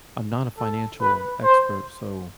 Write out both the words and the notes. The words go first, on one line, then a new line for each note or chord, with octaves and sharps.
I'm not a financial expert, so
A4
B4
C5